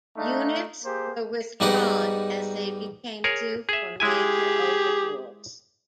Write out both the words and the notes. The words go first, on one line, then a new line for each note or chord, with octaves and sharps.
Units were withdrawn as they became due for major overhauls.
A3 D4 D#4 F5
A#3 G4 G#4 C5
G#2 G3 B3 D#4 D5 F#5
G#4 A#4 C#5
G#4 E5
G#3 E4 G4 G#4 G#5